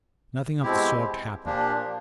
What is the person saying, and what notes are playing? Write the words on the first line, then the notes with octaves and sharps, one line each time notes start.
Nothing of the sort happened.
B2 G#3 C4 E4 G4
A#2 F3 A#3 D4 G4